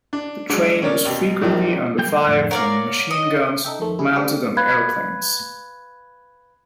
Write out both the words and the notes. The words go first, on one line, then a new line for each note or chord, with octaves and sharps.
The train was frequently under fire from machine guns mounted on aeroplanes.
D4
F#3 G#3 D4 F#4
C#4 A#4 C#5 D5
D#2 B2
A#1 A#2 D#3 F3 G3
G3 A#3 G5
F2 A2
A#4 C#5 D5 F5 F#5
D#5
D#4 A4 E5 G5
F2 D#3 A3 C4
C#3 G3 D4 E4 G#4
A3 C4 D4 G4
B4 F5 B5 F#6 G#6